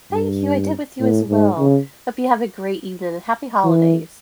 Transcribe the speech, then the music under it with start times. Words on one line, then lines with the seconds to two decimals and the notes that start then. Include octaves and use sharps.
Thank you, I did with you, as well. Hope you have a great evening, and happy holidays.
0.11 G2
1.00 A2
1.28 G#2
1.58 C#3
3.64 E3